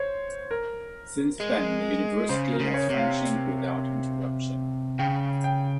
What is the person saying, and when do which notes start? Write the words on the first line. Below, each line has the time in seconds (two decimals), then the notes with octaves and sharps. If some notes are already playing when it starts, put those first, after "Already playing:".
Since then the university has functioned without interruption.
Already playing: C5 C#5
0.51 A#4
1.40 G#3
2.29 C#3 C5
2.52 A#4
2.60 C#3
2.74 C#5
2.90 C3
2.97 F5
4.99 C#3 G5
5.44 G5